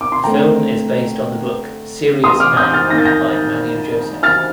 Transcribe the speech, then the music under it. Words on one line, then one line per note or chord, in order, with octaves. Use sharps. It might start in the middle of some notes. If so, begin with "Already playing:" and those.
The film is based on the book "Serious Men" by Manu Joseph.
D6
C6
D3 A3 C4 G5 A#5
C6 D#6
D6 F6
D#6 G6
F6 A6
D#3 A#3 A6 A#6
G6 A#6
F6 A6